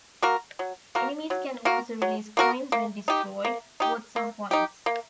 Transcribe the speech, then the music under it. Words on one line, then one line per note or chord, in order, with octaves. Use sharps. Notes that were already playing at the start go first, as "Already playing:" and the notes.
Enemies can also release coins when destroyed, worth some points.
A#3 F#4 A#4
F#3
A#3 F#4 A#4
F#3
A#3 F#4 A#4
F#3
A#3 F#4 A#4
A#3
D#4 G4
A#3
D#4 G4
A#3
D#4 G4
A#3